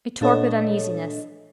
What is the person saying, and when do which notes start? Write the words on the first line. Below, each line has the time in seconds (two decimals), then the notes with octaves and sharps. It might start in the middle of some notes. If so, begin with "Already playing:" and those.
A torpid uneasiness.
0.21 A#2 D4 A4 C#5 D#5